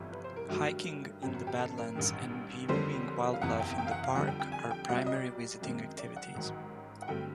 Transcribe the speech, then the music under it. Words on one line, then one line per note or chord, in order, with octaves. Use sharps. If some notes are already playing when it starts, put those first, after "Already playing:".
Hiking in the badlands and viewing wildlife in the park are primary visiting activities.
Already playing: G1 F2 C3 E3 G3
B4
C5
A#4
G2 D#3 F#3 A3 F#4
G#1 F#2 C#3 G4
F#4
G4
A4
A#4
A1 G2 D#3
F2 D3 G3 A#3 C#4 C5
F5
F#1 E2 C3 F#5
G5
G5
F5
F#5
F5
F2 D3 G3 F#5
G5
G5
G#5
G5
B1 B2 G3 C4 F#5
E5
D#5
D5
F#2 D#3 G#3 C4
D5
F#5
A1 G#2 D#3 F#3
F#5
G2 D3 F#3 A3 C4 G5